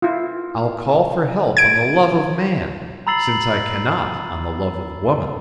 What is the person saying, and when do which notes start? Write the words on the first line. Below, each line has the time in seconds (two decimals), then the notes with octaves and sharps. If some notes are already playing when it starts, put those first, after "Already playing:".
I'll call for help on the love of man, since I cannot on the love of woman.
0.02 E4 F4
1.57 G#6 D7
3.07 A#5 B5 E6 A6 C7 F#7